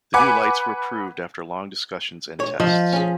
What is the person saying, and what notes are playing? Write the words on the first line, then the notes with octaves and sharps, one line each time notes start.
The new lights were approved after long discussions and tests.
B4 F#5 G#5 D6
C#5
F3 D#5
C#4 G#4